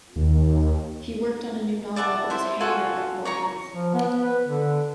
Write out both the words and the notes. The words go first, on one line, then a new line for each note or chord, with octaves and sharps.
He worked on a new novel but was hampered by poor health.
D#2
D5 E5 F#5 A5
E4 C5 E5
F4 F#4 A4 G#5
C#5 A#5 C#6
F3
B3
B4
D3